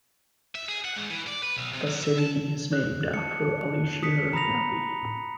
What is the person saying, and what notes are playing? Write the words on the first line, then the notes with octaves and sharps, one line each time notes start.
The city is named after Ali-Shir Nava'i.
E5
G#4
F#5
G#2
E3
D5
B4
B1
C3
F#2
E5
A5
F#6
A5 C#7
D#6 B6 C#7
A#5 B5 D#6 A#6 F7